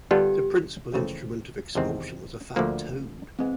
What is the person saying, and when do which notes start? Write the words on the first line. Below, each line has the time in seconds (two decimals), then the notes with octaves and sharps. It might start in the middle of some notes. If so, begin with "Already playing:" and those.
The principal instrument of expulsion was a fat toad.
0.11 D3 G3 B3 D4 F4 G4
0.92 F2 C#3 E3 A3 C4
1.75 E2 C3 D#3 G#3 C4
2.56 D2 D3 F3 A#3
3.39 E3 G#3 B3 C4